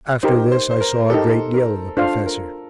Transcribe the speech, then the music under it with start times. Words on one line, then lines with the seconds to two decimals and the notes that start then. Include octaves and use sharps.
After this I saw a great deal of the professor.
0.23 D#4 G4 A#4 C5
0.52 C5
0.71 C5
0.81 A#4
1.10 D#4 G4 A4 A#4
1.54 A#4
1.97 D4 F4 A4 C5 F5
2.26 A#4